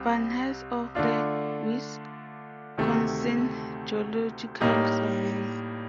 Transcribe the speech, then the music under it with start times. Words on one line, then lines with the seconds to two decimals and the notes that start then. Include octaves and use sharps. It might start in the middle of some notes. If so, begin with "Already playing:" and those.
Van Hise of the Wisconsin Geological Survey.
Already playing: C2 C3 C4
0.95 D3 A3 D4 F4
2.78 D2 C3 D#3 A3
4.61 A2 G3 A#3 D#4 G4